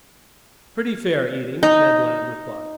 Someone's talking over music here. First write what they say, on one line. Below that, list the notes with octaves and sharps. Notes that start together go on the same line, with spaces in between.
"Pretty fair eating," Ned Land replied.
D#4